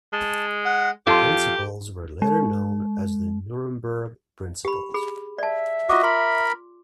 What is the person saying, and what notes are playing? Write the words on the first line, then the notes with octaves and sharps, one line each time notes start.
The principles were later known as the Nuremberg Principles.
G#3 A5
F#5
F2 F4 G4 A4 A5 C6 D6
G#3
G4 B5
G#4 B5
D5 E5 A5
F4 F#4 D#5 D6
A#4 B5 C6